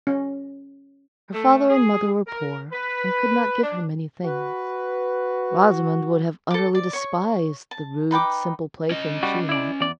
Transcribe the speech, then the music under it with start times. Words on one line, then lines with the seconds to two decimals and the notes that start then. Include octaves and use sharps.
Her father and mother were poor, and could not give her many things. Rosamond would have utterly despised the rude, simple playthings she had.
0.07 C#4
1.34 A3
1.69 G#4
2.27 A#4
2.72 B4
3.61 D4
4.26 F#4 B4
6.51 A4 D6
6.75 D5
6.93 C#5 C#6
7.71 A5
8.11 D#4 B4 G5 D6
8.91 C#4 D#5
9.23 G3 F#4
9.49 E4 D5
9.81 E2 D5